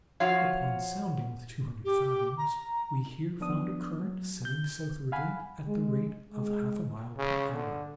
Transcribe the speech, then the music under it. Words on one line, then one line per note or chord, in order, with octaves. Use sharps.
Upon sounding with two hundred fathoms, we here found a current setting southwardly at the rate of half a mile per hour.
F3 F4 F#4 C#5 F5
G4
A#5
F3 B3 D4 D#6
F#3
G6
F5 F#5 G#5 B5
G#3
G#3
C#3
D3